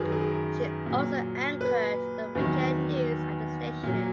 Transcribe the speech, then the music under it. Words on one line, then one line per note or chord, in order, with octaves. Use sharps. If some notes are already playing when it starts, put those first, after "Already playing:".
She also anchored the weekend news at the station.
Already playing: F#2 D#3 F#3 G#4 A#4 B4
G#4
A#2 F#3
B4
E2 D#3 F#3
A#2 F#3